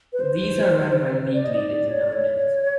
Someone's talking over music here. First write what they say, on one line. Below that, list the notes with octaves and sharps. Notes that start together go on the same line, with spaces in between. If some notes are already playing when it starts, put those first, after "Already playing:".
These are run by League leaders and owners.
B4
C5
D5
D#5
D5
C#5
D5
C#5